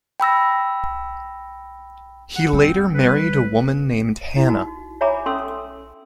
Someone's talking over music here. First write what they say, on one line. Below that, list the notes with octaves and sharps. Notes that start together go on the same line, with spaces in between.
He later married a woman named Hanna.
G5 B5 E6 A#6
F#5
G3 C4
B4
E4
D#4 F#4
C#5 E5 G#5 A#5 B5 D6
C#4 A4 C6 D#6 E6